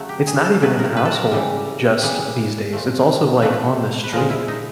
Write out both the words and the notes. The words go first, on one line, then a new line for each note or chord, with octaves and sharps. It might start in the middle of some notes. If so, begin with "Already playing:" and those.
It's not even in the household, just these days, it's also, like, on the street.
Already playing: C#3 F#3 A3
G4
G#4
A4
C#3 F#3 A3 B4
A#4
B4
A4
A#4
C#3 E3 G3
C#3 E3 G3 B4
A#2 F3 A3
A#2 F3 A3 B4
B4
A#2 F3 G#3 A#4
E4
D#4